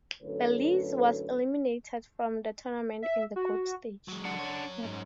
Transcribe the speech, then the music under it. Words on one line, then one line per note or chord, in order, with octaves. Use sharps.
Belize was eliminated from the tournament in the group stage.
F#2 A2 D3 A4 B4 C#5
E5
F#4
F#3 G#3
D4 F#5
F#2 C#5
G#2